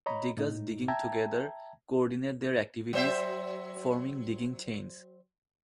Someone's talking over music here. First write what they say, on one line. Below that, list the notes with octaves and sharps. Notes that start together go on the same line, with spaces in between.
Degus digging together coordinate their activities, forming digging chains.
C#5 D#5 A#5 B5
A2 D#4
E5 G5 A5 A#5 G#6
F#3 C5 E5